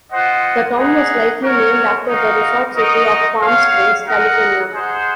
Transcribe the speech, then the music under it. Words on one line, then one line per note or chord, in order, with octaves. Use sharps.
The town was likely named after the resort city of Palm Springs, California.
F4 C5 D#5 F#5
D#4 G#4 D#5 F#5
F#4 A#4 C#5
D#4 F#4 A#4 F5
D#4 F#4 A#4 D#5
F#4 C#5 F5
D#4 A#4 D#5 F#5
D#4 G#4 C5 F#5